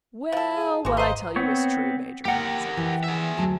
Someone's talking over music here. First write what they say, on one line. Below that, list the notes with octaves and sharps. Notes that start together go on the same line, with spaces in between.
"Well, what I tell you is true, Major," said Puffin.
F3 A4 F5
G#4
G#1 E3 A3 F#4 G#5 C6 D6
B4 C5 D#5 F5 A#5 C7
B3 C4 C#5
A#3 G4 A#4 F#5 G5
E3
G#4 E5
D2 F#3 A5